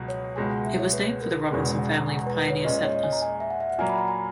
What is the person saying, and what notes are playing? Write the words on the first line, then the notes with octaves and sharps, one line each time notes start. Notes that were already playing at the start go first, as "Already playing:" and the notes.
It was named for the Robinson family of pioneer settlers.
Already playing: C#2 B2 F#3
C#5
C#2 B2 G#3 G#5
F#5
E5
C#5
B4
A#4
B4
E1 E2 B2 G#3 C#4
F#5
A#5
G#5
F#5
B4
B4
C#5
A#2 G#3 C#4 D#5
D#5
C#5
D#5
G#5
A#5
G#5
E5
F#5
E5
F#5
A#2 F#3 A#3 G#5
B5
A#5
G#5